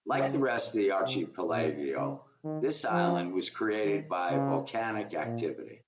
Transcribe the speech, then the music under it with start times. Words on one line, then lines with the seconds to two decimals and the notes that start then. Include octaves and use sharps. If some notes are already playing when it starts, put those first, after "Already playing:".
Like the rest of the archipelago, the island was created by volcanic activity.
0.11 C#3
1.04 C3
1.51 A#2
1.97 C#3
2.44 D#3
2.91 F3
3.84 D#3
4.30 C#3
5.24 A#2